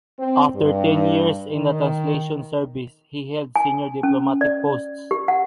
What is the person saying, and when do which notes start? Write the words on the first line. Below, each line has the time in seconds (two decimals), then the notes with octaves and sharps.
After ten years in the translation service, he held senior diplomatic posts.
0.19 C4
0.55 G2
1.55 D#3
3.56 G#5
4.03 C#4
4.41 D5
5.11 G4
5.28 F#5